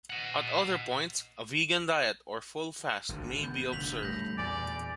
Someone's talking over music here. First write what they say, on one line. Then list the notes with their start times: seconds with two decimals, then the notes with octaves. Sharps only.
At other points, a vegan diet or full fast may be observed.
0.10 D#5 F#5
3.09 G#1 D3
3.44 B3 G6
3.72 F1 D3 D#3 B6 F7 F#7
4.03 A2 G3 G6 A#6
4.38 E2 A#2 D5 G#5